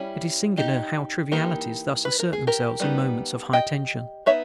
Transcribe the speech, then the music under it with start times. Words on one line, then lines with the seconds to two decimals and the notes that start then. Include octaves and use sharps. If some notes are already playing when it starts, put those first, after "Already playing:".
It is singular how trivialities thus assert themselves in moments of high tension.
Already playing: G3 C#4 E4
0.58 D#4 G4
1.32 E3 A#3 D#4 G4 A#4
2.05 B4
2.19 A#4
2.33 G#4
2.47 G4 A#4
2.80 G3 B3 D#4
3.53 D#5 G5
4.26 B3 D#4 C#5 E5